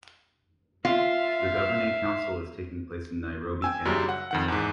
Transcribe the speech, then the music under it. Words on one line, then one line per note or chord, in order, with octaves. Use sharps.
The Governing Council is taking place in Nairobi, Kenya.
F4 E5 F5
G5 G#5 E6
F#2 C#3 F#3 G3
F#5
F2 D#3 F#5
E2 G#2